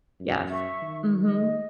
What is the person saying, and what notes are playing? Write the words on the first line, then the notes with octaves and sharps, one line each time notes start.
Yes. Mhm.
F#2
E5 C#6
D#3
D#5